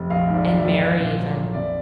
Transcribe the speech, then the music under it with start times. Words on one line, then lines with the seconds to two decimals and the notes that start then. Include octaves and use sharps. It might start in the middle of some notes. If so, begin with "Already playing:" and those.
And Mary even.
Already playing: F1
0.10 A#1 D#5 F5
0.28 G#2
0.34 D5 E5
0.46 D#3
0.58 D5 E5
0.64 A#1
0.82 A#1 D#5 F5
1.00 A#2
1.18 F#3
1.36 A#1
1.53 F2 D5 E5